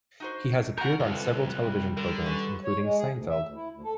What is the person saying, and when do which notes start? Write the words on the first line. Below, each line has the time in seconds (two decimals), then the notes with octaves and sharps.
He has appeared on several television programs, including "Seinfeld".
0.20 D#4 F#4 C5
0.78 B2 A#4 F#5 A#5 G6
1.00 C2 D3 F4 B4
1.47 G3 F#6
1.97 D3 A#4
2.26 C#4 B4
2.64 C#5
2.83 G#3
2.99 G#4
3.13 D2
3.29 E5
3.42 D2
3.55 E4
3.72 D2
3.84 A4